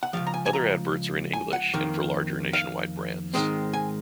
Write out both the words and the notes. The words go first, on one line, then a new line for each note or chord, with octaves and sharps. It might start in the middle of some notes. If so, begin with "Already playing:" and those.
Other adverts are in English and for larger nationwide brands.
F#5
C#2 C3 F3 F5
A#5
G#5
G#5
A#5
G#5
F#5
F2 D#3 A#3
F5
G#2 D#3 G#3 C4
G#5